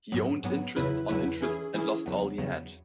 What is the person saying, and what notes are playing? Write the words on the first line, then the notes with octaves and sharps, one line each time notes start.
He owed interest on interest and lost all he had.
G#2 F#3 B3
G#2 F#3 B3
E2 C#3 F#3 E4 B4
E2 C#3 F#3 E4 B4
E3 C#4 E4 G#4
E3 C#4 E4 G#4
E2 C#3 F#3 B3
E2 C#3 F#3 B3